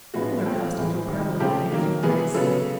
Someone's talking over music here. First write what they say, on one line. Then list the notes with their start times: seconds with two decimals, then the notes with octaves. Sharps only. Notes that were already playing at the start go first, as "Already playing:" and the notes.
Similar customs were prevalent in Ancient Greece.
0.14 A2 F3 G#3 B3 F#4
0.45 A#2 F3 A3 C4
0.77 A2 E3 G#3
1.09 C3 D#3 G3
1.40 C#3 F3 A3 C4 G4
1.72 D#3 F#3 A#3
2.03 C3 E3 G#3 B3 G#4
2.34 C#3 F#3 B3 A4